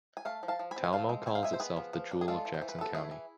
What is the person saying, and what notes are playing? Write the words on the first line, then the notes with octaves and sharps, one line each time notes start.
Talmo calls itself The Jewel of Jackson County.
G#5
A3 F5 A5
F3
F5 A5
F3
G#5 B5
C4
G#5
C4 F5 A5
G#3
C4 G#5
F5
G#3 E5 G#5
C5
B3 G#4 B4
F3
F3
D4
G#4
G#3 F4 A4
E3
C5
E3
B4
B3 A4
A3 E4 G#4
E3